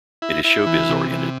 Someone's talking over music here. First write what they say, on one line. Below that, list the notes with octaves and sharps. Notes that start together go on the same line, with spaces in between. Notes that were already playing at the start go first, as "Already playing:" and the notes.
It is showbiz oriented.
E4
E4
E3
C3
E3